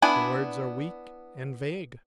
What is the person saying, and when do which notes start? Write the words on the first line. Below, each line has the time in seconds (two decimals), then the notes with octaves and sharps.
The words are weak and vague.
0.02 B3 D4 E4 G#5